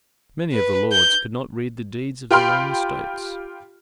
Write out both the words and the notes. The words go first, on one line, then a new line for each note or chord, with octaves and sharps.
Many of the lords could not read the deeds of their own estates.
B4
G6
F4 G4 G5 B5 C6 F6